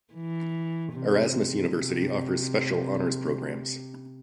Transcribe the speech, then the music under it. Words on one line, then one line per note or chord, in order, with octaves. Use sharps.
Erasmus University offers special honours programmes.
E3
C3
C3